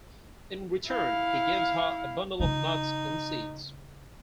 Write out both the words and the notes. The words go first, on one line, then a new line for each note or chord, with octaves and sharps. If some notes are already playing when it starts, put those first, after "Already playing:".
In return, he gives her a bundle of nuts and seeds.
E4 F5
C#3 D#4 F4